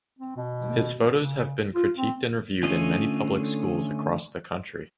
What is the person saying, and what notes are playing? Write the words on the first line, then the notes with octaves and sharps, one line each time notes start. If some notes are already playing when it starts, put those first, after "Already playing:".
His photos have been critiqued and viewed in many public schools across the country.
C4
B2
C#3
F4
C4
D3 A3 C#4 F4 D#5